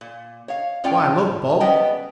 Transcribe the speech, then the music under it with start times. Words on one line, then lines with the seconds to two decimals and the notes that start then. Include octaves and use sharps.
Why, look, Bob.
0.01 A#2
0.48 C#5 F5
0.84 A2 C#4 F4 D5 G5
1.60 B3 C#4 G#4 D5 D#5 G5